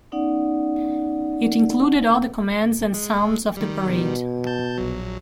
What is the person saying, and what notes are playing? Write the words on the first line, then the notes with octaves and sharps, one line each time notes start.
It included all the commands and sounds of the parade.
B3 C#4 D#4 D5 F#5
G#3
D#3 G3
B2
A5 G6
A#1 F#3